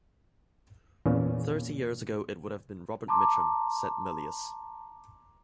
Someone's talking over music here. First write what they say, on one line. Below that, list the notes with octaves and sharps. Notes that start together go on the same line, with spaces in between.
"Thirty years ago it would have been Robert Mitchum," said Milius.
E2 A#2 C#4
A5 A#5 C6 D6